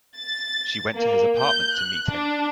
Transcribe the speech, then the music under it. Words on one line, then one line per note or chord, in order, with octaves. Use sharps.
She went to his apartment to meet him.
A6
A#3
G6
F#6
D4